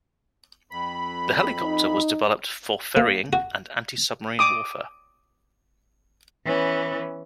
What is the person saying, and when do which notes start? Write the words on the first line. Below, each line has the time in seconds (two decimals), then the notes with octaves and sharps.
The helicopter was developed for ferrying and anti-submarine warfare.
0.71 F2 B5
1.63 D#4
2.97 A#3
3.33 F#4
4.39 D6 D#6
6.45 E3 B3 C#4